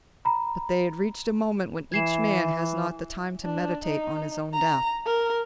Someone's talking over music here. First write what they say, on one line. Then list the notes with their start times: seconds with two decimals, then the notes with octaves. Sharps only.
But they had reached a moment when each man has not the time to meditate on his own death.
0.25 A#5 B5
1.92 E3 G#6 C7 E7
3.44 D4
3.85 D#4
4.53 A#5
5.06 A#4